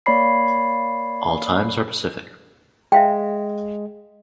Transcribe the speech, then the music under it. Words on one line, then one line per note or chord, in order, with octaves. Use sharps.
All times are Pacific.
A#3 C#5 D5 B5 C7
G#3 E5 F5 G5